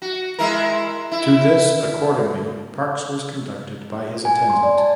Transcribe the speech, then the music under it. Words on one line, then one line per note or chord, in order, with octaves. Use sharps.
To this accordingly Parks was conducted by his attendant.
F#4
G#3 E4 A#4
E4
G#5
C6
D5
A5